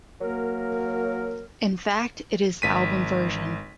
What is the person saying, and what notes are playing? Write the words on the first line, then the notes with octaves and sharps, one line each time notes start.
In fact it is the album version.
F#3 A#3 A#4
G#1 B6 D#7